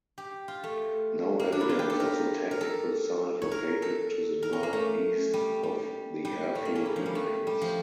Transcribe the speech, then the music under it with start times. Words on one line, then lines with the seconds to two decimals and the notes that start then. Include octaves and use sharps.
No evidence of the technical site located to the north-east of the airfield remains.
0.18 G4
0.48 F4
0.64 A3
1.39 A#3
1.52 D4
1.61 E4
1.69 F4
1.79 G4
1.90 A4
2.00 A#4
2.51 A#4
2.61 A4
3.42 C#5
3.52 A#4
3.82 A4
4.43 A#4
4.53 C#4
4.63 A#3
4.73 A3
5.33 G3
5.63 G3
6.25 G3
6.55 A3
6.65 A#3
6.75 C#4
6.86 E4
6.96 F3
7.06 G3
7.15 A3
7.47 G3
7.61 F3